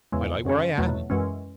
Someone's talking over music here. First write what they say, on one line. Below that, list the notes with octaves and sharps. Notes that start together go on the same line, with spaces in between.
I like where I am.
E2 C#3 E3 G#3
F#2 C#3 G#3 C#4
E2 B2 F#3 A3
F#2 E3 G#3 C#4